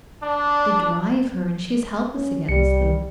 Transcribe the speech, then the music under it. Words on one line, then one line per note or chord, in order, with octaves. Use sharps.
They drive her, and she is helpless against them.
D4
C#4
C2 G3 C#7